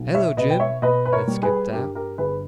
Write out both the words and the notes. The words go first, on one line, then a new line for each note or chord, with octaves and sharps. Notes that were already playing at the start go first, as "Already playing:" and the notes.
"Hello, Jim!" and skipped out.
Already playing: B1
C#5 E5
B2 B4 D#5
G5
C#5 E5
B2 B4 D#5
B4
A#4 C#5
G3
G#4 B4
G2 G4 A#4
G4 A#4
G1 G#4 B4